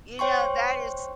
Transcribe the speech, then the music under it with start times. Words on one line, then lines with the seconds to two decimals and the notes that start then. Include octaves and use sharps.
You know, that is
0.19 C5 C#5 G5 C6 C#6